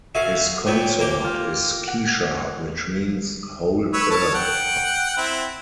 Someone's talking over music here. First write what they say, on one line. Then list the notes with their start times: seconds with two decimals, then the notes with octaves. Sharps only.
His consort is Kishar which means "Whole Earth".
0.15 F#4 G#4 E5 F5
0.67 A#2 F#3 B3 G5
0.99 A#3 G4
1.24 F4
1.88 F#5
3.93 B4 C#5 E6
4.11 C#5 A5
4.34 F#5 G5
5.17 C4 E4